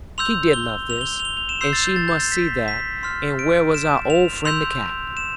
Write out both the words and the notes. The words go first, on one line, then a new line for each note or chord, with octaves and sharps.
She did love this, and she must see that, and where was our old friend the cat?
C6 E6 G6 F7
G7
F7
G7
G7
F7
G7
F7
E7
C6 E6 G6 C7
A6
G6
A6
G6
A6
B6
B6
C6 F6
D7
E7
F7
C6 E6 G6 F7
E7